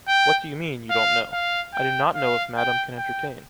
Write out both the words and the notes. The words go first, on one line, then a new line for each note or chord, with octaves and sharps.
What do you mean, you don’t know? I do not know if madam can entertain.
G5
F5
F5
G5
F5
G5
G5